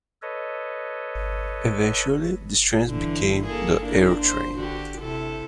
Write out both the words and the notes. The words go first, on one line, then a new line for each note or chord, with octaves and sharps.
Eventually, these trains became the Aerotrain.
A4 B4 C#5 D#5
G2 D3 E3
A#3 G#4 A4
A#3 D4 E4
C5
D3 F#4 G4
C3 E4 A4